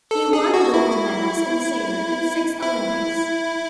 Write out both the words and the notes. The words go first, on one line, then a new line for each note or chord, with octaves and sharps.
He won gold medals in sabre in six Olympics.
A4
G#4
F#4
E4
E4